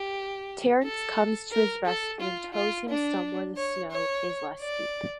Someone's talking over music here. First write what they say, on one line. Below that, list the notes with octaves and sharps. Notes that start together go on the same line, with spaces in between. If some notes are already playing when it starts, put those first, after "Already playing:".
Terence comes to his rescue and tows him somewhere the snow is less deep.
Already playing: G4
A4
A#4
A4
F4
F4
D4
C#5
C#5
D5